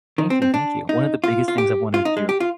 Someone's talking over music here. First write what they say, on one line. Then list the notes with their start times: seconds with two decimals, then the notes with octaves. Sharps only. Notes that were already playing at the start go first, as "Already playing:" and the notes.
Thank you, thank you. One of the biggest things I've wanted to do
0.18 D#3
0.30 C4
0.42 C4
0.54 D4
0.89 D#4
1.24 F4
1.48 F4
1.58 G4
1.94 F4
2.05 D#4
2.17 G#3
2.29 G4
2.40 F4